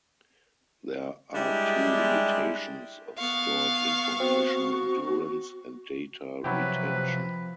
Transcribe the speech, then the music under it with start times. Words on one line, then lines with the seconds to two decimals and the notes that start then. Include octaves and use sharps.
There are two limitations of stored information; endurance, and data retention.
1.34 G3 G#3 D4 E4 G4
3.18 B3 F5 C#6
4.20 C4 F#4
6.44 C3 F3 F#3 E4 G4 B4